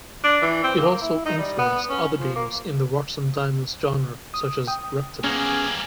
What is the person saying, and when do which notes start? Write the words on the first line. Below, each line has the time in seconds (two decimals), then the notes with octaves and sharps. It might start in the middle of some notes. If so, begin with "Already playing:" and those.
It also influenced other games in the rocks-and-diamonds genre such as Repton.
0.24 D4
0.42 E3
0.64 C4
0.79 A#3
1.01 E4
1.26 D#4
1.38 G3
1.59 B3
1.90 C#4
2.18 F3
2.36 A#3
4.34 D#6
4.67 G5 D#6
5.24 G3 A#3 B3 C#4 G#4